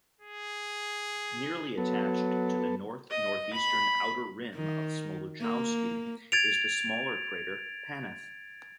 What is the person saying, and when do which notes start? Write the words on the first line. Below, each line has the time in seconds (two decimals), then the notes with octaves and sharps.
Nearly attached to the north-northeastern outer rim of Smoluchowski is the smaller crater Paneth.
0.21 G#4
1.78 F#3 B3 A4
3.10 D#5
3.54 B5
4.54 D#3
5.40 A#3
6.32 G#6 A6 D7 F7